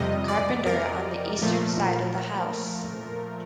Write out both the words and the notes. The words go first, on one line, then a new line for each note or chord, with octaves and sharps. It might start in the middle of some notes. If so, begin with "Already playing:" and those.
Carpenter on the eastern side of the house.
Already playing: F2 C3 G3 D#5
D5
A#4
A#2 F3 A3